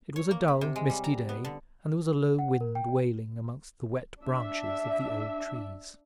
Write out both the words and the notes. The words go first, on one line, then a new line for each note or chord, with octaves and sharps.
It was a dull misty day, and there was a low wind wailing amongst the wet branches of the old trees.
C#5
A#3
B5
C3
G#3
G3
A#5
B3
D3
F#5
A#4
G5
D4 E5